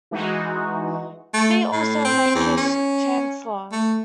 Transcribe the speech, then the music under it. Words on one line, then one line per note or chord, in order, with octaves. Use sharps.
See also Frankish Chancellors.
E3 G#3 D#4 F#4
A3
A2
C4
E2
C#4
A3